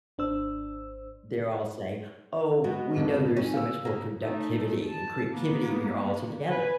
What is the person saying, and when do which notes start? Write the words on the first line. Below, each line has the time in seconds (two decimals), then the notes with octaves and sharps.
They're all saying, "Oh, we know there's so much more productivity and creativity when you're all together,"
0.18 G#1 D4 C5 E6
2.64 B2 G#3 F#5
2.96 B1 F2 G#2
3.37 C4 C#4 D#4 F#4
3.53 F5 E6
3.85 C#3 A#3
4.22 A3 D#4
4.89 A5
5.30 A#3 B3
6.46 B4 G#5